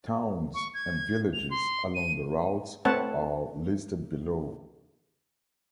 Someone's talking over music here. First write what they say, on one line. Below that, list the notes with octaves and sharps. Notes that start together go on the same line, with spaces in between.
Towns and villages along the routes are listed below.
C#6
G#6
F7
C6
D#7
A3 C4 B4 C#5 F#5 A5